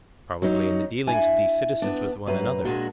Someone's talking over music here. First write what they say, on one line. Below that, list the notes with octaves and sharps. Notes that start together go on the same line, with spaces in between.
Probably in the dealings of these citizens with one another.
F#3 C#4 D#4
D4 E4 G#5
B3 D4
F#2 B4 A#5
A#2 G#3 D4 F#4